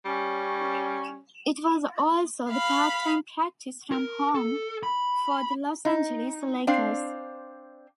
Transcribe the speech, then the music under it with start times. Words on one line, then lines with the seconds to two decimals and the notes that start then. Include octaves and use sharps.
It was also the part-time practice home for the Los Angeles Lakers.
0.05 G3 C#4
2.50 F5 B5
3.92 A#4
4.35 A4
4.83 B5
5.85 D#4
6.67 C4 D4 C5 F5